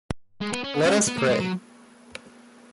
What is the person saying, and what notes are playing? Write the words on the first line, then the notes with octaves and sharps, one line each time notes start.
Priest: Let us pray.
G#3
B3
C#4
B3
C#4
B3
A#3
G#3
F#3